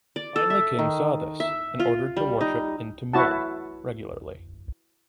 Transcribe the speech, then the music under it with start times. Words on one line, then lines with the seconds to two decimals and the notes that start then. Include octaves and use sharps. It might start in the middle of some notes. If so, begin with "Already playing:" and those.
Finally king saw this and ordered to worship in Tamil regularly.
0.16 D5
0.36 A4
0.50 E5
0.79 D#3
1.40 E5
1.80 F4
2.17 G3
2.41 D#4
3.13 E4 F#4 A5